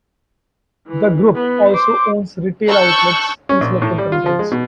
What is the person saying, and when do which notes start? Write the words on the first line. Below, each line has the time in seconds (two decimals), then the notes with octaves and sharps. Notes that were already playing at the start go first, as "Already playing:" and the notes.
The Group also owns retail outlets in selected countries.
0.87 E3
1.35 B3
1.72 C5 D6
2.67 A5 C#6 E6 F#6 G6
3.49 C#4
3.61 A#1
3.82 A2
3.98 G3
4.12 F4
4.26 F3
4.39 G#3
4.51 B2